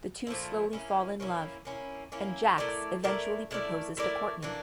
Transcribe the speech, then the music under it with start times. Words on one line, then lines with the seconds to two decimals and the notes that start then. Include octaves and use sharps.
The two slowly fall in love and Jax eventually proposes to Courtney.
0.27 A#2 F3 A3 E4
0.73 A#3 C#4 E4
1.20 A#3 C#4 E4
1.65 A#3 C#4 E4
2.12 A#3 C#4 E4
2.58 A3 E4 A#4 D5
3.04 A3 E4 A#4 D5
3.51 A3 E4 A#4 D5
3.97 A3 E4 A#4 D5
4.42 E3 A#3 D4